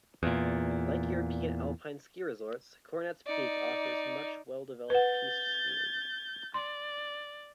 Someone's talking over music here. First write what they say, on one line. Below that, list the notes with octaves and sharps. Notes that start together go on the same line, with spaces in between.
Like European Alpine ski resorts, Coronet's Peak offers much well-developed piste skiing.
E2 A#2
D#4 D5
B4 F#5 G6 A6
D5 C6